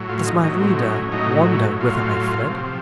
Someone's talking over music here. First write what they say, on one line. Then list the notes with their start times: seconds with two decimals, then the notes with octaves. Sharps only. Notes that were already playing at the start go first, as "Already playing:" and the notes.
Does my reader wonder whither I fled?
Already playing: A2 F#3
0.09 F4
0.27 D#4
0.44 A2 F#3 D#4
0.61 C4
0.78 D#4
0.95 C#4
1.12 A2 F#3 D#4
1.81 A2 F#3 F4
2.49 C3 F3